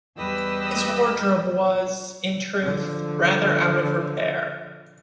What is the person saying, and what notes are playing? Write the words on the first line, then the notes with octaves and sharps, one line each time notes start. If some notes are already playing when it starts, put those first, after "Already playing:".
His wardrobe was, in truth, rather out of repair.
E2 G3 G4 B4 D#5 E6
D3 F3